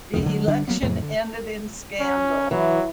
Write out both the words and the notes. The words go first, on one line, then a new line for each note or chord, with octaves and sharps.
The election ended in scandal.
C2 F2 D#3
D3 F#3 G#3
D3 G3 D4
F#3 G#3 A#3 B3
F2 A2 C#3 F#3
D3
C#4
E3 F#3